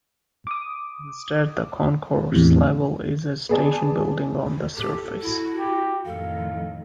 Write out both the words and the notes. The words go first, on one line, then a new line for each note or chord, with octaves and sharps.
Instead, the concourse level is in a station building on the surface.
D6 D#6
E2 A2 C3
B3 G#4 D5 A5
G4 A4
E4 F#4
G4
F2 A2 D#3 A4 F5